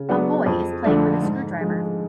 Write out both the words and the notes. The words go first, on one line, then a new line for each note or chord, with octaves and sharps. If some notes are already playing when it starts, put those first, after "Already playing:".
A boy is playing with a screwdriver.
Already playing: C#3
F#3 B3 D4 F#4
F2
D3 F3 A3 D4
G#2
F3 G#3